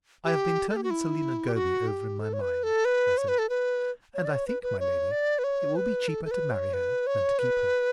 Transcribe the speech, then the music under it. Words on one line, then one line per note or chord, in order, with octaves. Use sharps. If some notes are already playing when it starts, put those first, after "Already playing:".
"I have been turning Selina Goby over in my mind," I said, "and I think, my lady, it will be cheaper to marry her than to keep her."
G4
A4
G4
F#4
E4
G4
F#4
G4
A4
C#5
B4
A4
B4
C#5
B4
A4
B4
C#5
D5
C#5
B4
B4
C#5
D5
B4
C#5
B4
A4
A4
B4
C#5
B4
C#5
B4